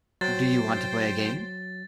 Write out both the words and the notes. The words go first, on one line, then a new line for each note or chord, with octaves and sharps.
Do you want to play a game.
F#3 C5 G5 A6